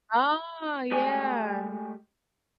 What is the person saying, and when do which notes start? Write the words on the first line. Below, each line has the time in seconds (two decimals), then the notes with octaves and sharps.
Oh, yeah.
0.91 G#3 A3 G4 D5 G5 G#5